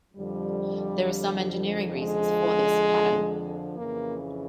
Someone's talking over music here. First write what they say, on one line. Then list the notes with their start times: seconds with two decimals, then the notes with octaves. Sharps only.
There are some engineering reasons for this pattern.
0.17 F2 D3 F3 G3
1.97 G#3
3.76 F2 C#3 E3 A#3